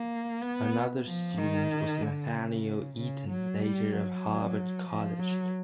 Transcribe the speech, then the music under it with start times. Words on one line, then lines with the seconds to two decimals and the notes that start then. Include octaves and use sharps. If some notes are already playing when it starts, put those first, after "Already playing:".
Another student was Nathaniel Eaton, later of Harvard College.
Already playing: A#3
0.42 B3
1.06 F3
1.38 D#3
2.02 D3
2.33 C#3
2.97 C#3
3.29 F#3
3.60 G3
3.92 F#3
4.88 F3
5.20 F#3